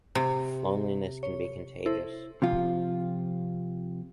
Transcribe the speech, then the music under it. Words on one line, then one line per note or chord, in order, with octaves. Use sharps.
Loneliness can be contagious.
C3
C#5
E4 A4 C5
C3 F3 F4